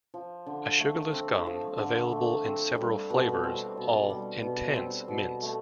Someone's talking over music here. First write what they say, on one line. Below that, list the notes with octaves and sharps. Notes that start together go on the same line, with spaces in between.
A sugarless gum available in several flavors, all "intense" mints.
F3
D3
A3
C4
F3
D3
A3
C4
G3
B2
C4
B2
G3
B2
C4
B2
A3